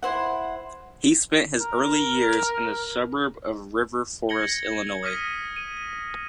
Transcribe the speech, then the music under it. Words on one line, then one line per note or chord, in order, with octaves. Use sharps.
He spent his early years in the suburb of River Forest, Illinois.
E4 C5 F#5
A#4
G#6 A#6 C#7 F#7 G7
D#6 F6 A#6 B6 D#7
D#7